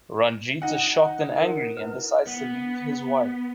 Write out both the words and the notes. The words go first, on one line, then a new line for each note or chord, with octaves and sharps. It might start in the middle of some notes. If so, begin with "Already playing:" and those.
Ranjeet is shocked and angry, and decides to leave his wife.
D#4 F#5
A#4
E4 B4
B3